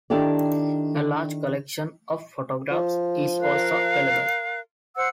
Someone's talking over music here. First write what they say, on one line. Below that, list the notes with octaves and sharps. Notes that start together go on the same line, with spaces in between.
A large collection of photographs is also available.
D#3 D4 E4 G4 A4 D5
F3
A#4 F5 F#6
C5 F#5 E6